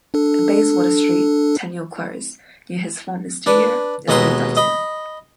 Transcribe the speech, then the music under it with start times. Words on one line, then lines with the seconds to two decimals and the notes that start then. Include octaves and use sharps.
A Bayswater street, Tenniel Close, near his former studio, is named after him.
0.14 D4 A4
3.46 D4 B4
4.08 D#2 B2 G#3 B4 A#5 C6
4.57 D#5 B5